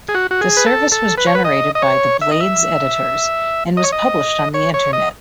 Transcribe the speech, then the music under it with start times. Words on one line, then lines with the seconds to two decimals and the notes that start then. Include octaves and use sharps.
The service was generated by the "Blade"s editors and was published on the internet.
0.09 G#4
0.15 F#4
0.31 F#4
0.41 G#4
0.57 B4
0.66 A4
0.92 A4
1.18 B4
1.27 C#5
1.35 B4
1.45 D#5
1.75 D#5
1.82 C#5
2.21 E5
2.31 D#5
2.40 E5
3.77 D#5
3.84 C#5
3.92 D#5
4.54 C#5
4.74 C#5
4.93 D#5